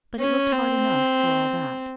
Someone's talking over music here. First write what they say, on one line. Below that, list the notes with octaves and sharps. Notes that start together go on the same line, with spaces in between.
But it looked hard enough, for all that.
C#4
C4